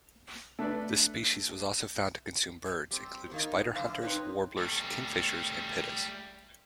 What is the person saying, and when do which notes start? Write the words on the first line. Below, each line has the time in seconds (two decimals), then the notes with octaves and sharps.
This species was also found to consume birds, including: spiderhunters, warblers, kingfishers, and pittas.
0.59 A3 D4 B4 D5
2.91 G3 C4
3.32 D#3 A#3 D#4
3.75 F#2 D3 G3 A4 C5 F5
4.01 C4 D#4 G4 B4 C#5
4.58 G3 A3